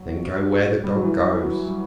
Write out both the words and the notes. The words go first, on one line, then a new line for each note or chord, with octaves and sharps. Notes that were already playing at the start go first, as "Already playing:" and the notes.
Then go where the dog goes.
Already playing: F#3
G3
F#3
E3
E3
F#3
G3